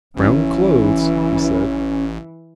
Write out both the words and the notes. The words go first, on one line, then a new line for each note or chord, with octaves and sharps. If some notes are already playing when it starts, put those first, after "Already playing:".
"Brown clothes?" he said.
A1 E3 C#4